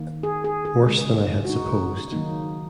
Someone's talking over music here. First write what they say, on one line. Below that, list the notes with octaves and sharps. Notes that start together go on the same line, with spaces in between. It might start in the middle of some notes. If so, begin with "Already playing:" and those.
Worse than I had supposed.
Already playing: D#3 A#3
G#4
G#4
G#4
C#3 G#3
F#4
D#4
D#3 F#3 A#3 D#4